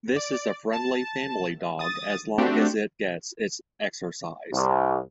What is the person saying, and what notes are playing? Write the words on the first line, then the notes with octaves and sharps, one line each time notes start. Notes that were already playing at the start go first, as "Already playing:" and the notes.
This is a friendly family dog, as long as it gets its exercise.
D5
A5
D#6 A6
A3 C4 D4 F#4 G4
C2